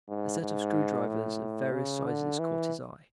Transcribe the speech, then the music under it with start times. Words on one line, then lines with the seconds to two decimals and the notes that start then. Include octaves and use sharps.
A set of screw-drivers of various sizes caught his eye.
0.08 G#2
0.41 G#2
1.07 A2
1.73 C#3
2.05 D3
2.39 E3